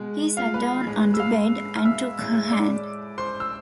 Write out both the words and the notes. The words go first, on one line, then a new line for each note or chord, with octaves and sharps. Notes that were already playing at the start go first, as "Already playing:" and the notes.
He sat down on the bed, and took her hand.
Already playing: B2 G#3
F4 F5
B4 B5
A2 G#3
E6
F5 F6
F6
E5 E6
A2 G#3
E6
D5 D6
C5 C6
E6